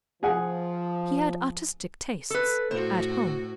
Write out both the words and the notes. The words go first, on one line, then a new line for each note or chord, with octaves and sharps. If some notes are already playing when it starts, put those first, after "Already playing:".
He had artistic tastes--at home.
F3 G#4 F#5 G#5
A4 B4
A2 F#4 C5